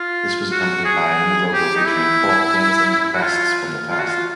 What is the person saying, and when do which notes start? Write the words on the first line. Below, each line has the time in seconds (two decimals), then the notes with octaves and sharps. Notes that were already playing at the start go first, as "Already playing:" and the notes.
This was accompanied by a new logo featuring four Queensland crests from the past.
Already playing: F4
0.51 F#4
0.85 G#4
1.53 G4
1.76 D#4
1.86 E4
3.14 F#4
3.22 F4
3.90 F4
3.99 F#4
4.08 F4